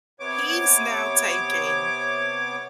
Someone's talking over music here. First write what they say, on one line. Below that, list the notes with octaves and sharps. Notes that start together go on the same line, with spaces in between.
He's now taking
C3 B3 C#5 D6